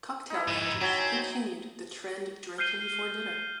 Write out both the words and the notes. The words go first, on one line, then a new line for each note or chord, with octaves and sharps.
Cocktail lounges continued the trend of drinking before dinner.
D#4 E4
F2 G#2
F#3 C4 G#5 B5
F6 G6 C7 D#7 G7